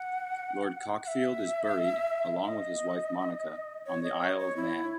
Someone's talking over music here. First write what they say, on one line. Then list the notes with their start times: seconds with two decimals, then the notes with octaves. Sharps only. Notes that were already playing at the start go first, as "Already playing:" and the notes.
Lord Cockfield is buried, along with his wife Monica, on the Isle of Man.
Already playing: F#5
1.04 F#5
1.08 E5
2.45 D#5
3.86 C#5
4.03 D#5
4.21 C#5
4.39 C#5
4.56 E4